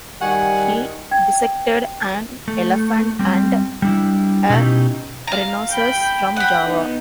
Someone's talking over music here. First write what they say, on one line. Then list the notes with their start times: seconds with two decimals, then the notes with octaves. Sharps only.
He dissected an elephant, and a rhinoceros from Java.
0.22 D#3 G3 F#5 G#5
1.11 G5 G#6
2.48 A3
3.19 G3 C4
3.82 G3 D4 E4
4.50 B2 C#4 D#4 E4 G4
5.27 F5 A#5
5.72 G5 B5
6.36 F#5 G5 B5
6.67 B3 D#4